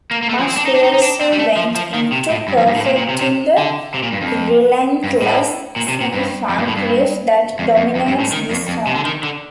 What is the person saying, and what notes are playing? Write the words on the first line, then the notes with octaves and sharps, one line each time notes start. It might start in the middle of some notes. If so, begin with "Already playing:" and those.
Much rehearsal went into perfecting the relentless semi-funk riff that dominates this song.
A#3
A#3
A3
F3
C4
D4
D#4
D4
D#4
D#4
D4
C4
G3
A3
F3
F3
D#3
C3
A2
G2
F2
G2
A2
A#2
A#2
C3
C3
D3
C3
A#2
G2
F2
G2
A2
A#2
C3
A#2
G2
F2
G2
A2
G2
F2
F2
F2
G2
A2
D#3
F2
F2
C3
D3
D#3
D3